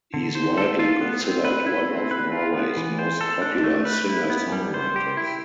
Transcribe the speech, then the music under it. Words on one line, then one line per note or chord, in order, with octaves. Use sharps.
He is widely considered one of Norway's most popular singer-songwriters.
D3
C5
A4
F4
B3
C4
B4
E4
C4
B4
F4
B3
E3
C5
A4
D4
A3
B4
E4
B3
G3
C5
G4
E4